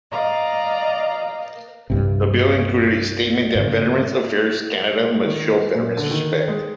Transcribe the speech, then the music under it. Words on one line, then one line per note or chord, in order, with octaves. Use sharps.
The bill included a statement that Veterans Affairs Canada must show veterans respect.
D5 D#5 F5 A#5
C2 G2 C3
G#2 C#3
D#3
B4
A#2
D3
D#3
G#3